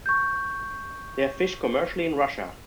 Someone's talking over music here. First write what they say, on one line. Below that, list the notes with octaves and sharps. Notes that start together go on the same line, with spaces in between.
They are fished commercially in Russia.
C#6 G6